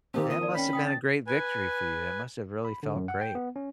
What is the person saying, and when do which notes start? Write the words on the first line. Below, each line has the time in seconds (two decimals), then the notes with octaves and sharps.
That must've been a great victory for you. That must have really felt great.
0.14 D#3 A#3 C4 E4 G4 A4 A5
0.30 F4 F5 D#6
0.42 D5 A5
0.55 C#4 C#5 G5 B5
0.73 D#4 G5 D#6
0.86 A5
1.27 B4 G#5
2.65 B5
2.83 D3
2.95 F#2
3.08 F#5
3.21 G5
3.35 B3
3.56 C#4